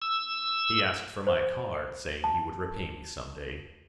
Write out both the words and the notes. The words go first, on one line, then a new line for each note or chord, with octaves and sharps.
He asked for my card, saying he would repay me some day.
E6
C5
A5